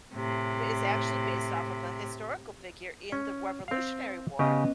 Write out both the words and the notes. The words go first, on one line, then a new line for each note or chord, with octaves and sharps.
is actually based off of a historical figure in the Revolutionary War.
A2 C3
C#4
C4 F5
C#3 B3 C#4 G4 D#5